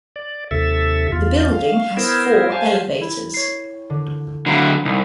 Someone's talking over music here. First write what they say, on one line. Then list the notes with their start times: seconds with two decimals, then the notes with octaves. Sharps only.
The building has four elevators.
0.16 D5
0.51 D#2 C3 A4 E5
1.12 E2 F4
1.53 F5
1.97 B3 E4 A#4 C5
2.52 C5 F5 G#5 A5
3.01 E4
3.34 C#5 C7
3.90 D3
4.46 D3 F#3 E5 A#5 B5
4.85 C2 D#4